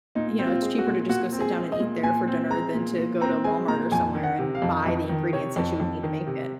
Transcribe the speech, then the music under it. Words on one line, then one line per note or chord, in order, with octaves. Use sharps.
you know, it's cheaper to just go sit down and eat there for dinner than to go to Walmart or somewhere and buy the ingredients that you would need to make it.
A#2 D#4
C4
F4
G#3
F#4
A#2
A#2 F#4
C4
G#4
G#3
D#5
A#2
A#2 G#5
C4
G#3 A#5
A#2
A#2
C4 A#5
G#3 G#5
A#2 A#5
F2 G#5
D#3
F#5
C3
F5
F2
F2 D#5
D#3
C3 C#5
F2
F2
D#3
C3